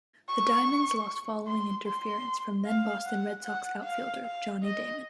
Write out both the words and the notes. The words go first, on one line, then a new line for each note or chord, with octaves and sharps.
The Diamonds lost following interference from then-Boston Red Sox outfielder Johnny Damon.
C#6
C6
C6
F5
F#5
F#5
F5
F5
D#5